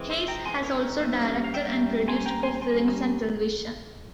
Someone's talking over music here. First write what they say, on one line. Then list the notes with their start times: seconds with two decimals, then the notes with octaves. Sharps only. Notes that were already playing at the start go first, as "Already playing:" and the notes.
Hays has also directed and produced for films and television.
Already playing: E3 G#3 C4
0.10 C5 E5
0.28 G5 A#5
0.45 E3 G#3 C4 G#5 C6
0.64 A#4 C#5
0.82 A#4 C#5
1.00 G3 A#3 C#4 C5 E5
1.44 F5
1.54 G3 A#3 C#4 E5 G5
2.07 G3 A#3 C#4 G#5 C6
2.26 G5 A#5
2.43 G#5 C6
2.61 G3 A#3 C#4 G#5 C6